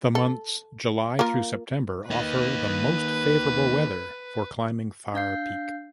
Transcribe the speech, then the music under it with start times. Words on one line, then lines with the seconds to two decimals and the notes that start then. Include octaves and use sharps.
The months July through September offer the most favorable weather for climbing Thar Peak.
0.15 A4
1.19 A#3 F4 A#4
2.11 A#3 D#4 B4
5.14 D4 F5 G6 C7